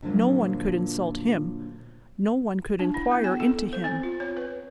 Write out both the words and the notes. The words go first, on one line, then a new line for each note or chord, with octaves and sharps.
No one could insult him; no one could inquire into him.
A#2 D3 F3 F#3 A#3
D4
E4
B3
G#5
A4
C5
C4
F4
C#5
B4